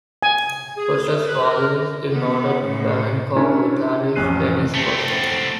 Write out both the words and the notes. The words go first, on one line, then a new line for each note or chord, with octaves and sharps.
Koster's father is noted flamenco guitarist, Dennis Koster.
G#5
G#4
A3
B4
A#4
D#3 B3
A2 C#3
C#4 D4 E4 A#4 C#5 G#5
A1 F2 C#4 F#6 C7 D#7
A3 C4